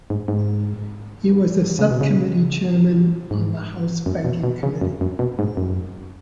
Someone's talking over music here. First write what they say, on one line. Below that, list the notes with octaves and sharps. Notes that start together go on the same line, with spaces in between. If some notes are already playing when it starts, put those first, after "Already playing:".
He was a subcommittee chairman on the House Banking Committee.
G#2
G#2
C#3
B2
C#3
G#2
F#2
B2
B2
C#3
F#2
F#2
B2
G#2
F#2